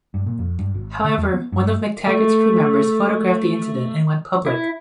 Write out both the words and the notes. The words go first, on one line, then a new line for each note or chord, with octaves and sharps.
However, one of McTaggart's crew members photographed the incident and went public.
G2
A#2
F2
G2
G#1
D3
E2
B3
G2
A3
E4